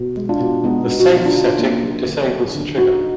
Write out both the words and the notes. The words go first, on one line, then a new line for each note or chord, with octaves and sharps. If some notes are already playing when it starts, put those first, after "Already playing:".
The "safe" setting disables the trigger.
Already playing: B2
G#3
D4 F4
B2
G#3 B3 D#4
B2
F#4
F4
B2 D#4
D4 F4
D3
A#3
F#3
D3
F#3
D3
B2 D#4 F#4